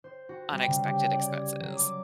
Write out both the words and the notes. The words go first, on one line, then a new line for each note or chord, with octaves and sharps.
unexpected expenses.
C5
F#4
G3
C#3
G4
D5
G#6
F#3
D6